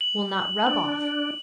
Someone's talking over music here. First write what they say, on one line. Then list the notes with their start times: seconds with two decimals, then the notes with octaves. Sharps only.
Will not rub off.
0.01 F#7
0.67 D4 F#7